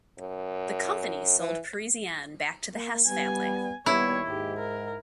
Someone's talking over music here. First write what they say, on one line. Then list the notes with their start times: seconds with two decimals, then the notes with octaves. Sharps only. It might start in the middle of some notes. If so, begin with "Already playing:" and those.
The company sold Parisian back to the Hess family.
0.19 F#2
1.39 E3
2.75 A#3
3.08 G3 B3 G#5
3.86 D#2 G3 B3 E4 C#5
4.27 G#2 G4
4.59 A#4